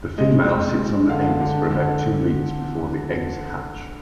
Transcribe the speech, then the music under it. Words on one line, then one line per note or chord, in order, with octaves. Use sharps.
The female sits on the eggs for about two weeks before the eggs hatch.
G#3 D#5
C4
G#3
D3 F5
D3
D3